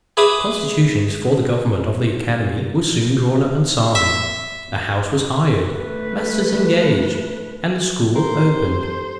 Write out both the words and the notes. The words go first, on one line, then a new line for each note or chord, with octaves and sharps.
The constitutions for the government of the academy were soon drawn up and signed, a house was hired, masters engaged, and the school opened.
G#4 B4 E5 B5 D6 D#6
E5
A3 B4
C4 G4 A4 A#4 C5